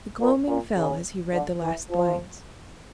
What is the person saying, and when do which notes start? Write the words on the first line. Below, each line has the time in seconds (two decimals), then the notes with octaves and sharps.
The gloaming fell as he read the last lines.
0.20 A#2
0.48 A#2
0.76 C#3
1.33 D3
1.62 E3
1.90 F3